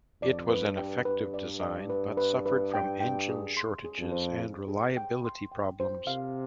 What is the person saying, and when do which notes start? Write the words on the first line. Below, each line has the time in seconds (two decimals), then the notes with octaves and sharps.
It was an effective design, but suffered from engine shortages and reliability problems.
0.22 F2 D5
0.50 B4
0.64 G2
0.77 G5
1.05 G2 B4
1.34 D5
1.62 D5
1.90 B4
2.17 B4
2.46 B4
2.74 G5
3.00 G5
3.29 G#4
3.57 C6
3.84 G#4
3.99 F2
4.12 C5
4.40 G#4
4.68 G#4
4.97 G5
5.25 C6
5.52 G5
5.80 C5
6.07 C3 F5